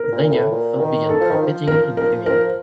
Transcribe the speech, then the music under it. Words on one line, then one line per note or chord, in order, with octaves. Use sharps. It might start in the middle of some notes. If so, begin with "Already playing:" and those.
Zeiger first began competing in swimming.
Already playing: A#4
A#2
A#2
A2
A#2
D#3
A4
F3
D#3
F3
A#4
A#4
F3 A#4